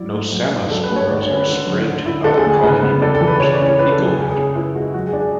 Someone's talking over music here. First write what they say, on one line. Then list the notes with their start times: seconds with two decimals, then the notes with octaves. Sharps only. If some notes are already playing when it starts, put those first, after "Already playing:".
"Nosema" spores are spread to other colony members through fecal matter.
Already playing: F#3 E4 D5
0.13 A3
0.32 F#3
0.52 D4
0.70 F#3 A4
0.83 B4
0.90 A3
0.96 C#5
1.09 D3 D5
1.22 C#5
1.29 C#4
1.35 B4
1.48 D3
1.67 F#3
1.86 D3
2.06 E4
2.24 D3 A4
2.37 G#4
2.44 A3
2.50 G#4
2.63 C#3 B4
2.83 B3
3.01 D4 A4
3.15 A4
3.21 E3
3.27 B4
3.40 C#3 C#5
3.53 D5
3.60 C#4
3.66 C#5
3.79 E4 B4
3.92 A4
3.98 F#3
4.05 G#4
4.17 C#3 G#4
4.30 G#4
4.36 C#4
4.55 E4 B4
4.75 G#3 F#4
4.94 F#3 F#4
5.07 G#4
5.13 D4
5.20 G#4